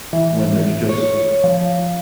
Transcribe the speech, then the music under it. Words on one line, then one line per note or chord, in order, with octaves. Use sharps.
when there's just
E3
C#5
F3